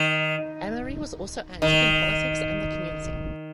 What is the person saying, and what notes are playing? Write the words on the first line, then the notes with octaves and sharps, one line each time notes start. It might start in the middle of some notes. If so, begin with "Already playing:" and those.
Emory was also active in politics and the community.
Already playing: D#3
D#3